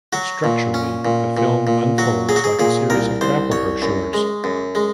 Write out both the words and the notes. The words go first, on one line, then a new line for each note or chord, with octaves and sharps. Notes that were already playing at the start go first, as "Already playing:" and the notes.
Structurally, the film unfolds like a series of travel brochures.
F#3 F#4
A#2
C#4
A#2
A#2
A#2
F#3 F#4
F#3 G#4
F#4
G#4
A#2 G#4
C2 A#4
C2 C5
C2 C#5
F#2
G#3
F#2
G#3